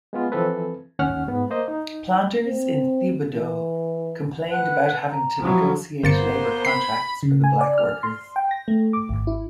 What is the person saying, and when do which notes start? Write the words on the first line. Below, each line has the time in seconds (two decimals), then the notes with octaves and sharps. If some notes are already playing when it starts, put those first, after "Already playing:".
Planters in Thibodaux complained about having to negotiate labor contracts for the black workers.
0.13 G#3 B3 F4
0.32 E3 F3 C4 A4 B4
0.99 D#2 C#4 F#5 F6
1.28 G#2 B3
1.50 A#3 C5 D#5
1.68 D#4
2.47 C4
3.33 E3
4.50 B4 F#5 F#6
5.09 A#5
5.40 F3 F#3 E4
6.04 G1 A#3 B3 C5 A6 C#7
6.65 B5 C7
7.23 C#3
7.44 G#5
7.61 D5
7.78 F6
8.03 C6
8.36 G5
8.51 A#6
8.68 A3
8.93 D6
9.09 G#1
9.27 E4